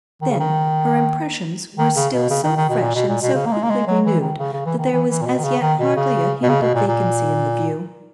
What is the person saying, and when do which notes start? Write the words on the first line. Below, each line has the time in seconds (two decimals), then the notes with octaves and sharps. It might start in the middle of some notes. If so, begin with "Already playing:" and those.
Then her impressions were still so fresh and so quickly renewed that there was as yet hardly a hint of vacancy in the view.
0.21 D#3
0.30 C#3
0.39 D#3
1.78 D#3
1.96 C#3
2.13 B2
2.30 C#3
2.43 D#3
2.56 D#3
2.69 B2
2.82 A#2
2.95 B2
3.08 A#2
3.22 B2
3.34 C#3
3.46 A#3
3.52 G#3
3.63 A#3
3.70 G#3
3.87 F#3
4.05 E3
4.21 D#3
4.39 C#3
4.53 C#3
4.65 E3
4.79 D#3
4.91 E3
5.09 E3
5.22 A#2
5.26 B2
5.39 D#3
5.44 C#3
5.61 D#3
5.79 B2
5.96 C#3
6.43 B2
6.49 C#3
6.61 B2
6.74 A#2
6.87 A#2